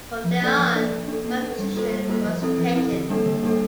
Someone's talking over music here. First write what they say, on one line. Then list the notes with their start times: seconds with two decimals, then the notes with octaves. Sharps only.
From then on, my position was taken.
0.24 F3
0.41 A#3 D4 A4 D5
0.58 F3
0.75 A#3 D4 A4 D5
0.91 A#3
1.08 D4 A4
1.25 A#3
1.42 D4 A4
1.59 G3
1.75 A#3 F4 A4 C5
1.91 G3
2.08 A#3 F4 A4 C5
2.25 F3
2.42 C4 E4 A4
2.58 F3
2.75 C4 E4 A4
2.92 D3
3.09 G3 A#3 D4 A4
3.26 D3
3.43 G3 A#3 D4 A4